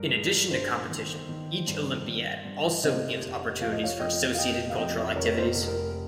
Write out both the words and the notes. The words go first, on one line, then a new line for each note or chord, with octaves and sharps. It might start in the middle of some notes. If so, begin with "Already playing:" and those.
In addition to competition, each Olympiad also gives opportunities for associated cultural activities.
Already playing: G2 A#4
G#3
G1 C5
D#3
D#3
G2
G2
G2
C3 C5 D#5
F1
F3 F5
D#5
C#5 F5
F2 D#5 G5
F5
F1 D#5 G5
F5
F2 D#5 G5
F1 A#4 C#5
C5
A#4
F1
A#4